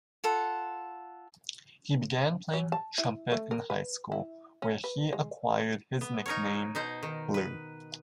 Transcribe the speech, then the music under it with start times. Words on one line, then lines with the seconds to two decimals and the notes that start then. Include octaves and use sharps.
He began playing trumpet in high school, where he acquired his nickname, Blue.
0.24 F4 A4 F#5
2.54 F#3
2.72 A5
2.98 E4
3.32 A3
3.51 A#4
3.70 B4
4.12 E4
4.62 C#4
4.84 B4
5.13 G#3
6.01 B3
6.26 D#4 A#4 C#5
6.75 B2 D#4 C5
7.03 D#3
7.34 B4